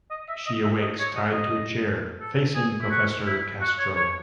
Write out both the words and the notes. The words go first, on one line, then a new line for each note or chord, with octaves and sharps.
She awakes tied to a chair, facing Professor Castro.
D#5
E5
D#5
E5
D#5
C#5
D#5
D#5
A4
G#4
E4
F#4
E4
F#4
C#5
C#5